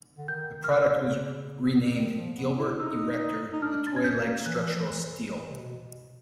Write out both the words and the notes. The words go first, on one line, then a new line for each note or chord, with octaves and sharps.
The product was renamed "Gilbert Erector, The Toy Like Structural Steel".
D3
D#3 G6
D#3
F6
F#6
C#3
D#3
F3
B3
E4
D#4 E6
D#4
D4 F6
A6
C#4
G#6
G6
A#3
E3 F#6
F3
E3
F3
E3
E3
C3
B2